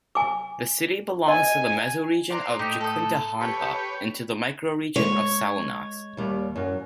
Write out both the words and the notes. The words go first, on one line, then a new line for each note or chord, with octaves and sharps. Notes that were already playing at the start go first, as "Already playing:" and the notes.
The city belongs to the mesoregion of Jequitinhonha and to the microregion of Salinas.
G#5 D6
D#5 G#5
C5 D5 F#5 A#5
A2 D#4 E4 G4
A4 D#6
G4 B4 C#5
G#3 C#5
D#2 G3
F#2